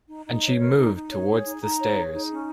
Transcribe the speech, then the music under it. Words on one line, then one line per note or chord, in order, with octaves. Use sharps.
And she moved towards the stairs.
D#4
D#4
C#5
A#4
D#4
D#4
C#5
G#4
D#4
D#4 A#5
C#5
G#4
D#4
C#4